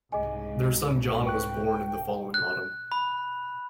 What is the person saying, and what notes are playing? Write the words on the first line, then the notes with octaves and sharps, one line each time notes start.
Their son John was born in the following autumn.
C2 G#2 C#3 G#4 D#5 G#5
B4 G5 C#6 F#6
F#6
B5